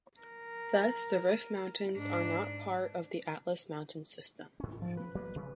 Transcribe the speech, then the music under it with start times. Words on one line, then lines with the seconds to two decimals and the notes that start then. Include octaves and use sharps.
Thus the Rif mountains are not part of the Atlas Mountain System.
0.21 A#4
1.94 G#2 D4
4.60 G#2 C#4
4.82 F3
4.97 B4
5.15 F#3 A#3 B3
5.36 C3 E3